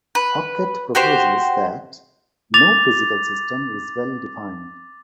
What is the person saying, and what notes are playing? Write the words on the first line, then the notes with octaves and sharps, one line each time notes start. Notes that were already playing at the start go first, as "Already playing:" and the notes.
Hockett proposes that "no physical system is well-defined".
B4
F#4 G4 C5
D6 A6 F7